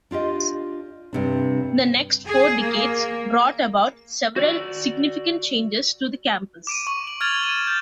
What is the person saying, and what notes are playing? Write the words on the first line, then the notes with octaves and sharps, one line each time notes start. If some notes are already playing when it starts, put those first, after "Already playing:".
The next four decades brought about several significant changes to the campus.
D4 F4 G4 D#5
G2 C3 D4
G#4
A#3
F#4 D5
D6 D7 D#7
C#6 D#7 F#7
F#7
F6 G#6 A6 F7 F#7
D#7 E7
G6 A6